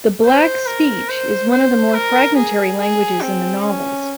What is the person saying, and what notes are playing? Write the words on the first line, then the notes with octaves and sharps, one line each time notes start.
The Black Speech is one of the more fragmentary languages in the novels.
C5
A#4
C5
C5
A#4
G#4
G#4
C4
C#4